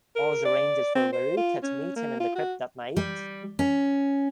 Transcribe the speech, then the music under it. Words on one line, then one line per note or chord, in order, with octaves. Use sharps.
Oz arranges for Veruca to meet him in the crypt that night.
A#4
D5
C4
C5
F4
C#4
A#3
F4
F#4
G3
C#4